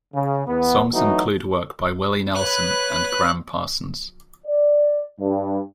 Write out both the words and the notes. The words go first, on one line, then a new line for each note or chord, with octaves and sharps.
Songs include work by Willie Nelson and Gram Parsons.
C#3
E2 B3
E3 F#3 A3 D#4 F#4
B4 C#5 F#6
D5
G2